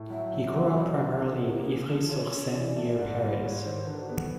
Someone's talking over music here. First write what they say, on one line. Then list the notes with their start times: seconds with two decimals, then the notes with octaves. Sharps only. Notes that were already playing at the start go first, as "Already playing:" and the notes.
He grew up primarily in Ivry-sur-Seine near Paris.
Already playing: A2
0.10 F#3 E5
0.32 D2
0.54 F#3
0.77 D2 E5
0.81 D#5
0.99 D3 E5 F#5
1.21 D#4
1.32 A4
1.43 A#3 G#4
1.55 G4
1.65 C#3 G#4
1.87 F3 G#4
2.10 F4 C#5
2.32 C#4
2.53 E3 D5
2.76 A3
2.98 G#2
3.21 G3
3.42 G#2 C#5
3.64 D#3 C5
3.86 D3 B4
3.99 F#4
4.10 B3 G4
4.20 A4